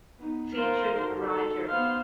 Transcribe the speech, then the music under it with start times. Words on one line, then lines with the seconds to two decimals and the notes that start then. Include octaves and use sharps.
Featured writer.
0.19 B3 D#4
0.54 E3 F4 A#4 C5
0.93 D3 D#4 F#4
1.25 A4
1.68 B3 C5 F5 F6